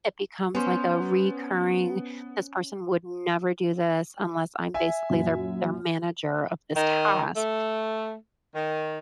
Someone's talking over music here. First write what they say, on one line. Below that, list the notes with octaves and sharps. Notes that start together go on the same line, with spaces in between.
it becomes, like, a recurring this person would never do this unless I'm basically their their manager of this task,
B3 C#4 C5
E5 G#5
F#2 A#2
D#3
A3
D#3